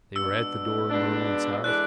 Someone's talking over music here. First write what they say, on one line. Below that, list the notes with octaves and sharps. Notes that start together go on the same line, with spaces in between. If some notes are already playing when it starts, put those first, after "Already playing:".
They were at the door of Merwin's house.
B2 G#3 D4 E6
B2 G#3 D4
E3 G#3 D4 A4 D5 F#6